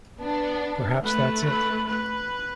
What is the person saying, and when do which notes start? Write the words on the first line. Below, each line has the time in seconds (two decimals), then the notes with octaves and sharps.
Perhaps that's it.
0.20 B3 D4
1.03 A3 B4
1.45 B4
1.87 B4